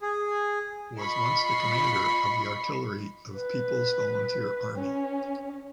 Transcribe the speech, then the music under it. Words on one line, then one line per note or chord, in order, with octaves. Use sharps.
Was once the commander of the artillery of People's Volunteer Army.
G#4
F4 D#5 B5 C#6 C7
B4
C#4